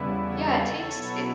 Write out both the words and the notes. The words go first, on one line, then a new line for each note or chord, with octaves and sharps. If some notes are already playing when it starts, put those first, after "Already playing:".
Yeah, it takes it
Already playing: E2 C#3 G3 B3 E4
A4 C#5
B2 F#3 B3 E4